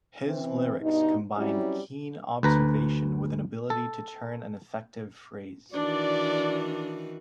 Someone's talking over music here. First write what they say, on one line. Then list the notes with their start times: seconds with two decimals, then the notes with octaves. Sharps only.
His lyrics combined keen observation with an ability to turn an effective phrase.
0.25 E3 C4
0.81 G2 B2 D#4
1.36 F#3 G3 C4 C#4 E4
2.43 D2 B4 A#5
3.70 A4
5.74 D#3 E3 D4 F#4 D5